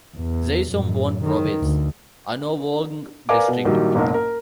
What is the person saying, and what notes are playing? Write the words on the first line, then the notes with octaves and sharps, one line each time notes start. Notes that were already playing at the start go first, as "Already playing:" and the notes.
Xaisomboun Province, Anouvong District.
E2
F#2 A2
D#3
D2
A#4 B4 D5 F5 G#5 D6
B2
A#1 D#3 F#3 G3
F#1 B1 G#2 A#4
A#4